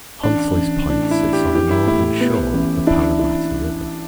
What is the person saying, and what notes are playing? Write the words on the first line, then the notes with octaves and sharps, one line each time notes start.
Huntleys Point sits on the northern shore of the Parramatta River.
A1 D4
A1
A2 D4
E4
D4
G4
E3 G4
E4
A2 E4
E4
B3
A1
D4 E4
E4